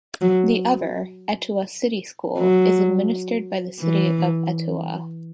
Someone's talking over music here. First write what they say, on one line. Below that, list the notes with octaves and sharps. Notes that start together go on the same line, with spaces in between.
The other, Etowah City School, is administered by the city of Etowah.
F#3
F#3
E3